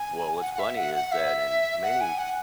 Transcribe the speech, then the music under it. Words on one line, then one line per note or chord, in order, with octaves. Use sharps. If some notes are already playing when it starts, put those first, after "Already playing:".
Well, what's funny is that in many
Already playing: G#5
F#5
F#5
E5
F#5
F#5
E5
F#5
G#5
F#5